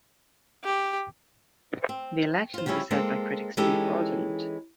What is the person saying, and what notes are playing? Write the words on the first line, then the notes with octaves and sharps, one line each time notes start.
The elections were said by critics to be fraudulent.
G4
C4
F4 C5
C#3 F3 G3 C#4 E4
G#3 A#3 C4 A4
E3 G#3 C#4 D#4 G4 A4